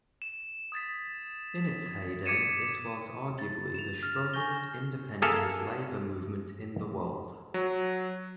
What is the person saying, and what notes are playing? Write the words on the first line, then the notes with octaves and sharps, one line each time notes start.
In its heyday it was arguably the strongest independent labour movement in the world.
E7
D#6 G#6 A6 B6
D6 G#6 B6 C#7 D#7 E7
A6
E7 F7
F6
G#5 C#6 F6 G6 A#6 G7
A#3 G#4 A4 E5 F5
F#3